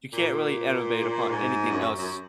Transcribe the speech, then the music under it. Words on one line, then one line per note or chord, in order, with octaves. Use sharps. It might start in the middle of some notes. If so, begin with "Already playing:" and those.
You can't really innovate upon anything else
A#2
G#2
F#2
F#2
F#2